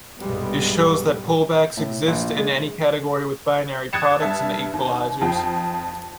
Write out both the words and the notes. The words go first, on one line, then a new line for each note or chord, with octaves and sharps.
This shows that pullbacks exist in any category with binary products and equalizers.
B1 G2 A#2 G3 G#3 B3
A2
A#1
G#3
D#6 F#6 G#6 A6 C#7 E7
G2 E5 A5
D#2
F2 F4 G5